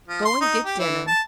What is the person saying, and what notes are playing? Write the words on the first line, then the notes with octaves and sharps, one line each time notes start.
Go and get dinner.
F3
C6
D#4
G4
E3
A5